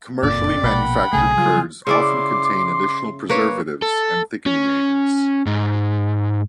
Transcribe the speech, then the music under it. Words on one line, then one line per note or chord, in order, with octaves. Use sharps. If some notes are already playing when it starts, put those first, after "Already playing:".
Commercially manufactured curds often contain additional preservatives and thickening agents.
F#1 F2 A#2 D5
A#1 B2 A#3 F#5 G5 B5
B1 C#3 A3 G#4 G#5
C#3 F#3 G3 F4
C#3 E4 D5 C6 D6
A#3 B4 C#5
A4
C#4
G#2